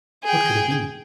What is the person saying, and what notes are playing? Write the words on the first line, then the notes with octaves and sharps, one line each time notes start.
What could it be?
G#4 G5